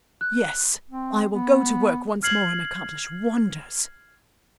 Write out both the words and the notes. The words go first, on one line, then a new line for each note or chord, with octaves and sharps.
Yes, I will go to work once more and accomplish wonders.
F#6
C4
B3
F6 G#6 C7 F#7